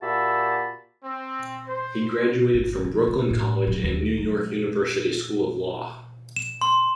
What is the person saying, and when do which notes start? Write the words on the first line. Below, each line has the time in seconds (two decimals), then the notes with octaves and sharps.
He graduated from Brooklyn College and New York University School of Law.
0.01 A#2 F#4 G4 E5 A5 B5
1.04 C4
1.67 C5
2.54 G#1
2.84 F3
3.07 C4
3.30 A2
3.67 F#3
3.84 D#2
4.18 F#3
6.36 E7
6.61 C6